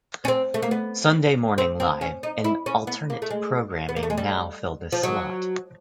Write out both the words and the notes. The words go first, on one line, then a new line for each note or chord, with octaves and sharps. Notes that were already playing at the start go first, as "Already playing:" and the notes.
"Sunday Morning Live" and alternate programming now fill this slot.
C#4
C4
A3
A#3
B3
C4
C4
C#4
D#4
E4
C#4
B3
A#3
A3
G#3
B3
A#3
A3
G#3
G3
F3
F#3